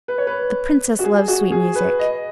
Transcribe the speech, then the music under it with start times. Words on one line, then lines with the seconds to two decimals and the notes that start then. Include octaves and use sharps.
"The Princess loves sweet music."
0.08 B4
0.18 C#5
0.27 B4
0.99 F#4
1.04 G#4
1.28 F#4
1.52 G#4
1.75 B4
1.99 D#5